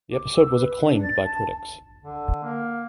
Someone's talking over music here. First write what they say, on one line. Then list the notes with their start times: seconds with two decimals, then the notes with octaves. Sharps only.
The episode was acclaimed by critics.
0.12 D6
0.36 E6
0.53 B4
0.84 D4
1.03 A6
1.24 A5
2.03 D3
2.43 A#3